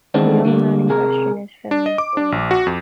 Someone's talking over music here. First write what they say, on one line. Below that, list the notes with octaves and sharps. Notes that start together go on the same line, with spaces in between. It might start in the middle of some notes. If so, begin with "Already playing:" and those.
The young man in question is Phil McRory.
D#3 E3 G#3 B3 C4 D4
D3 G3 A#3
C3 G#4 A#4
D4
D#5
D6
D4
A#1
F#4
F2